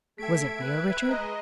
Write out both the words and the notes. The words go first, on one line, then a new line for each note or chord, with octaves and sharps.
"Was it real, Richard?"
A3 E5 G5 G#6 B6 D7
B4
G#3 D#5 A#5